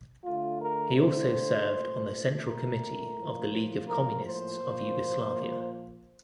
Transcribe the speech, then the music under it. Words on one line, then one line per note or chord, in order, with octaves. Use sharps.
He also served on the Central Committee of the League of Communists of Yugoslavia.
D3 A3 F4
A#4
C5
A#2 A3
A#4
A2 F3 A#3
A#4
C5
A#2 F3 A#3